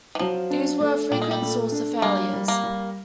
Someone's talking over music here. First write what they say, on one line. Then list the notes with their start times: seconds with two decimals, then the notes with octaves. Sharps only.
These were a frequent source of failures.
0.15 E3
0.19 F3 F#3
0.50 D4
0.81 A3
1.11 A#2 G3
1.22 G#3
1.31 G3
1.42 A3
1.71 D4
2.02 G3 A#3
2.33 G3
2.48 A#3
2.63 G3